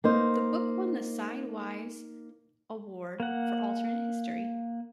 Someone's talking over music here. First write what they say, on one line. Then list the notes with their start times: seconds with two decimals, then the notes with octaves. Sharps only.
The book won the Sidewise Award for Alternate History.
0.04 A#3 D#4 C5
3.20 A#3 F#5